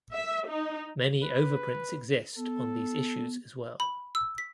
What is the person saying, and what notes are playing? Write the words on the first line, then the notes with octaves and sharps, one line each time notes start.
Many overprints exist on these issues as well.
E5
D#4
B4
B3 A4
B5
E6
B6